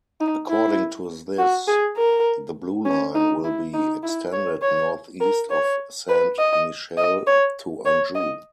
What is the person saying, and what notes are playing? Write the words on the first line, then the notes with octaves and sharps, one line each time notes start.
According to this, the Blue Line will be extended northeast of Saint-Michel to Anjou.
D#4
E4
F#4
G#4
A#4
C#4
D#4
E4
D#4
E4
C#5
C#5
A#4
C#5
B4
D#5
D#5
C#5
C#5
D#5